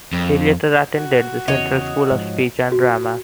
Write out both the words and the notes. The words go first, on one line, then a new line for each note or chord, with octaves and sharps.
He later attended the Central School of Speech and Drama.
F2
F#4
E2 C#3 C#5 D#5
G#2 F3
F#4